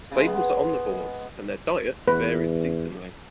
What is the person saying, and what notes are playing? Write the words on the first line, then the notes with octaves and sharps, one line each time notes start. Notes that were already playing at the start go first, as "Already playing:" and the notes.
Sables are omnivores, and their diet varies seasonally.
C#3 G#3
B3
E2 B4